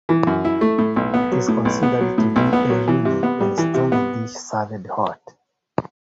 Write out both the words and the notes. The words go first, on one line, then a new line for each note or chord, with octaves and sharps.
It’s considered to be a unique and strong dish served hot.
E3
F#2
E4
A3
A2
B1
B3
F#3
A2
B1
B3
F#3
A2
B1
B3
F#3
E3
C3
B3
G3
E3
C3
B3